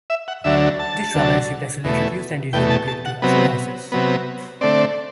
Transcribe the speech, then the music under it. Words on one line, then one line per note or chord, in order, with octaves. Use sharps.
This drama received excellent reviews, and usually played to full houses.
E5
F#5
D2 D3 F#3 E5
A5
D2 D3 F#3
E2 B2 A3
E2 B2 A3 G5
A5
A5
F#5
C3 F#3 B3
C3 F#3 B3
D3 A3 C4 D5